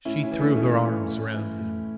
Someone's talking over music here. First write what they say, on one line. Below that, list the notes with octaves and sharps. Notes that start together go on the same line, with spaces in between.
She threw her arms round him.
A2 C#4 E4
C#4 E4
E3
A3 C#4
A2 C#4 E4
E3
A2
E3
A2